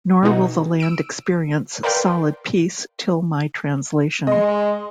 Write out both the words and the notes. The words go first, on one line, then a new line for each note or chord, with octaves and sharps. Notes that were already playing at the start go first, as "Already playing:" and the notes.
Nor will the land experience solid peace till my translation.
B2 E3 D#4 F#4
E6 D7
A#4 B4 D5 F5 G5 C6
G#3 D#5 C6